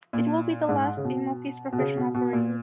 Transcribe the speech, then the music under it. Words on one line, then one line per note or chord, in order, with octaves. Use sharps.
It would be the last team of his professional career.
A#2
G#2
C#3
B2
B2
C#3
B2
B2
A#2